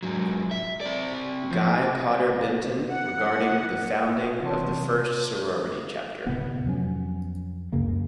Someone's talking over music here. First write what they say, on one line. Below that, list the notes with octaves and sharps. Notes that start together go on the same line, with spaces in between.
Guy Potter Benton regarding the founding of the first sorority chapter.
G#2 F#3
E5
C4 D5
F3
F#5
C3 E3 C4 C#5 A5 C6
D2 A2 C3 B3
F2 F#3 A#3 C#4
C#2 F#2 C#3 A#3